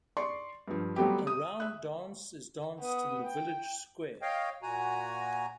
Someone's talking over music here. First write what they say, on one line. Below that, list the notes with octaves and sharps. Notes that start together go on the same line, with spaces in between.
A round dance is danced in the village square.
D5 C6 C#6
G2 F3
F#3 G3 A3 B3 C4 G4
D#6
E5 F#6
B3 D#6
G5
C#5 D#5 F5 G5
A#2 F#4 G#5 A#5